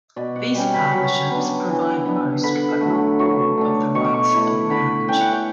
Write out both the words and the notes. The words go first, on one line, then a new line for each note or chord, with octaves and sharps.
These partnerships provide most but not all of the rights of marriage.
B2 D5
F#5
G3 C#4 G5
B5
C#6
F#3 B5
B3 D4
E3
B3 D4
D3 B5
F#3 A3
F#3 C#6
A3 D4
B2 C#6
D6
C#6
A3 E4
D3 B5
A3 C#4 E4 G5
F#5
G5